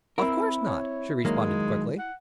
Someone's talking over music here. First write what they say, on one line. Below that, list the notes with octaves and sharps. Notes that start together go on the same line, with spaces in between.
"Of course not," she responded, quickly.
C4 E4 A#4
C#5
D#3 F#3 G#3 A#3
F#5